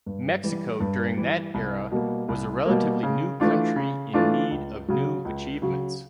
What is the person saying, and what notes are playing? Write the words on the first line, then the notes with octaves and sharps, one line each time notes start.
Mexico during that era was a relatively new country in need of new achievements.
G2
E3 G3
G2
E3 G3
C2
B2 G3 A#3
C2
B2 G3 A#3
C#3
E3 A3 D4 F4
C#3
E3 A3 D4 F4
C#2
C#3 F#3
C#2
C#3 F#3